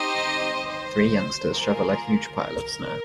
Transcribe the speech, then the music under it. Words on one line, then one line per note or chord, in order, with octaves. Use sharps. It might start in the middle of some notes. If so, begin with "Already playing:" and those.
Three youngsters shovel a huge pile of snow.
Already playing: C4 D#4 G4 C5 D#5
C5
A#3 F4 G#4 A#4
A#4